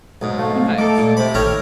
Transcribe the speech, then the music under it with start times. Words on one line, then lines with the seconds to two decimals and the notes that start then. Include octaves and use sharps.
Oh nice.
0.22 B1 G#2
0.39 A3 F5
0.78 D#3 A3 A4 D6
0.98 A#2
1.17 C3 C5 B5
1.34 A1 D#3 A4 C#5 D#5 G5 F6